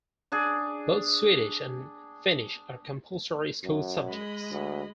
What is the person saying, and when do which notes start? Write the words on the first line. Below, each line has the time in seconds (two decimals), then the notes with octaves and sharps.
Both Swedish and Finnish are compulsory school subjects.
0.32 D4 G#4
3.63 F#2
4.09 G#3 D#5 B5
4.51 D2